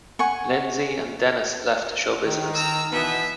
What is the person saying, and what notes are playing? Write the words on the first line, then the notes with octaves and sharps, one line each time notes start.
Lindsay and Dennis left show business.
F#5 G#5 C#6
D#3
A#5 E6
B2 E3 B3 E5